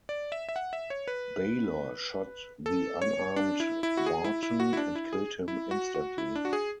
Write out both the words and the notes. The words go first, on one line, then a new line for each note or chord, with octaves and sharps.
Baylor shot the unarmed Wharton and killed him instantly.
D5
E5
E5
F#5
E5
C#5
B4
A4
C#5
D4
E4
E4
F#4
G#4
E4
E4
F#4
E4
D4
E4
G#4
E4
F#4
F#4
E4
D4
F#4
G#4